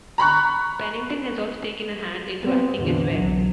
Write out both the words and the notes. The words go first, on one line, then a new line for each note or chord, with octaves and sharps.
Pennington has also taken a hand into acting as well.
A#5 B5 C#6 F#6
B3 C4
A1 E2 D3 E3
B1 F#3